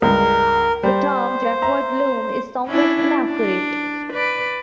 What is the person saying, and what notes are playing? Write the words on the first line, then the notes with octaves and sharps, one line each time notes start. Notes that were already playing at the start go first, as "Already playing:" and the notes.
The term "Jacquard loom" is somewhat inaccurate.
C#2 G2 G#3 A#4
G3 C5
E5 A#5
C#4 D4 E4
D4
B4 D5